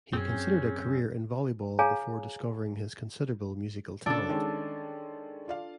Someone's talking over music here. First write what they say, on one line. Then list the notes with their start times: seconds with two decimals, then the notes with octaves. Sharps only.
He considered a career in volleyball before discovering his considerable musical talent.
0.13 F#2 C4 C#4 G#4
1.79 G#4 C#5 F5 G#5 A#5
4.06 C#3 D4 A4 E6
4.28 D#3 G#3 C#4
5.48 F4 D5 F5